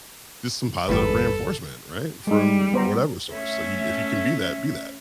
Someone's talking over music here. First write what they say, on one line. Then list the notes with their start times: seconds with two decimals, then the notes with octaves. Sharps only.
just some positive reinforcement, right? From whatever source, so you if you can be that, be that.
0.89 G1 E2 G3 A4 B4
2.27 G3 G#3 D#4
2.74 B3 C5 A#5
3.31 A3 C#4 E5